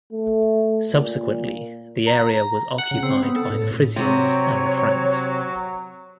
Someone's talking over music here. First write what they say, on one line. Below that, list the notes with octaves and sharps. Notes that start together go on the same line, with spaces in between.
Subsequently, the area was occupied by the Frisians and the Franks.
A3
A#2
A#5
F#5
C#3
C4
B3
A4
A2
C3 F#3 C#5